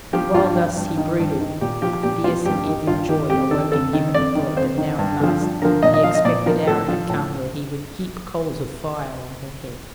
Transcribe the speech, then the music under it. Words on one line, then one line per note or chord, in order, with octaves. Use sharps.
But, while thus he brooded, a fierce and evil joy awoke in him at the thought that now at last the expected hour had come when he would heap coals of fire on her head.
F3 G4
G2 F4
F3
G2
D#3
G2
D#3
A#2 G4
F3 G4
A#2 G4
F3 F4
G2 G4
D#3
G2 F4
D#3 G4
F2 G4
D#3 A4
F2 A4
D#3
F2 D5
D#3
F2 C5
D#3
G2
D3 F3
G2
D3 F3 A#4
A#2 D#5
D#5
F3 F5
D#5
A#2 D5
F3 A#4
A2 A4
F3
A2